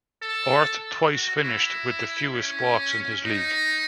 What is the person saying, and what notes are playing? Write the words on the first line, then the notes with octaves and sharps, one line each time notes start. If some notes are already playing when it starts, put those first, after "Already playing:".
Orth twice finished with the fewest walks in his league.
A4
F#4
E4
C#4
D#4